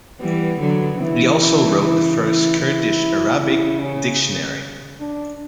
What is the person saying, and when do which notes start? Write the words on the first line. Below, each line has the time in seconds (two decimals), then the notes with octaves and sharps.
He also wrote the first Kurdish-Arabic dictionary.
0.21 E3 G3 B3
0.60 D3 F#3
1.00 C#3 E3 E4
1.40 E4
1.80 E4
2.21 E4
2.60 E4
3.40 C#3 E4
3.80 C#4
5.00 D4